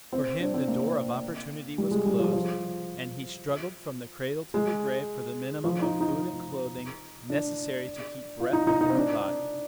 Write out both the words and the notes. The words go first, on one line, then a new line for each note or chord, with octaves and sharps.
For him the door of opportunity was closed, and he struggled from the cradle to the grave for the minimum of food and clothing necessary to keep breath within the body.
C4
D4
C4
A#3
G3
G#3
G3
F3
F3
G#3
F3
D#4
D#4
D4
F4
D#4
D#4
D#4
C4
D4